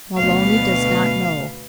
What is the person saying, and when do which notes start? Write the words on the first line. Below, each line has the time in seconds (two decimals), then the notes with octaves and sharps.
Maloney does not know.
0.18 D2 B2 B4 F5